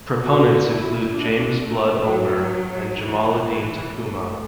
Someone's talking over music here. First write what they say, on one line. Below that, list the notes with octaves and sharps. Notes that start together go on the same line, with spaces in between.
Proponents include James Blood Ulmer and Jamaaladeen Tacuma.
F#4
E4
D4
A3
F#3
E3
E3
A3